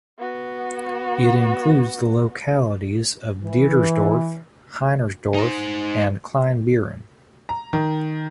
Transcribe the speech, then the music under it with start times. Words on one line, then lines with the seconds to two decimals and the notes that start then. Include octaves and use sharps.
It includes the localities of "Diedersdorf", "Heinersdorf" and "Kleinbeeren".
0.19 B3 F#4
3.43 E3
5.34 D#4 C5
7.49 A#5
7.73 D#3